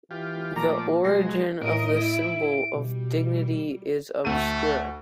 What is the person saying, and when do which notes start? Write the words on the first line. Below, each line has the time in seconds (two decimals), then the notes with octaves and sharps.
The origin of this symbol of dignity is obscure.
0.11 E3 F4 G4
0.56 A#2 F3 A3 D5 A#5
1.04 B2 F#3 G#3 A#6 C7
1.61 A2 A#4 D#5 D7
1.94 E4
2.75 B2 G3
4.25 D2 A3 D#7